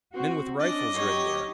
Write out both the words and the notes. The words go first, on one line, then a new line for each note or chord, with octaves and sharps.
Men with rifles are in there.
C4 F#4
C#4 D4 D5 D#5 D6
F#3 D#4 G4 C#5